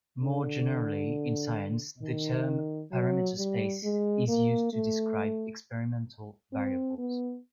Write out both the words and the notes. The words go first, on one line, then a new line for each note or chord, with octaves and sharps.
More generally in science, the term parameter space is used to describe experimental variables.
D3
D#3
F#3
G3
G#3
A#3
A3
C4
B3